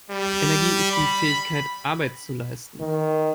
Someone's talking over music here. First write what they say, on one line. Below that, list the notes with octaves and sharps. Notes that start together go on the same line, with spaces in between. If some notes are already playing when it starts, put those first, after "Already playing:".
Energie ist die Fähigkeit Arbeit zu leisten.
G3
B5
D#3